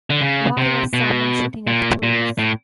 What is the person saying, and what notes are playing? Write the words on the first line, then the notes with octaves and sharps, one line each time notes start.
Why was someone shooting at the police?
D3
C#3
C3
B2
A#2
A#2
A2